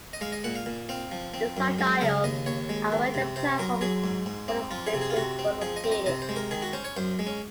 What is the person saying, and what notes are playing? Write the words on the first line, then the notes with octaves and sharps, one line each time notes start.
The side aisles are where the platforms for the station were located.
D#5
G#3 F5
D#5
A#2 F#5
F5
A#2
C4 F5
F3
C4
F#2
G#3
C#3 F5
D#2 D#5
D#2 C#5
G#3
D#3
C3
C3 C5
F#3 A#4
F#3 G#4
G#2
G#2
C4
F3 F4
G#4
C3
G#4
F4
C3 F#4
C4
F3 G#4
D#5
C4
D#5
C3 D#5
C5
G#3
A#4
D#3 G#4
F#4
C#4 C5
C#5
F#2 C5
G#3
C#4